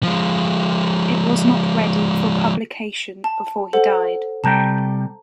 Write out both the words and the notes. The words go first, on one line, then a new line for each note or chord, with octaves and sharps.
It was not ready for publication before he died.
F3 G#3
A5
A4 C5 F#5
C3 G3 G5 A5 A#5